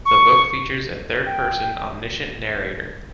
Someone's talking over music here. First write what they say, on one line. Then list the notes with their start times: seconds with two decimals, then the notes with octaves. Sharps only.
The book features a third-person omniscient narrator.
0.06 C#6
1.26 G5